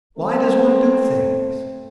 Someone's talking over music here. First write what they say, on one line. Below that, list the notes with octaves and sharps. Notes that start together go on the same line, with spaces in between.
Why does one do things?
A3 C4 A4